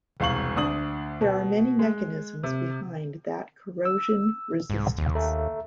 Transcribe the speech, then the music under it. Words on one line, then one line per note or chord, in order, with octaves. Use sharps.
There are many mechanisms behind that corrosion resistance.
E1 C2 F5 C#6 F#7
D2 D4 D#6 F#7
B2
G#3
C3
E6
C2 G#2
D#2
A4 E5 A#5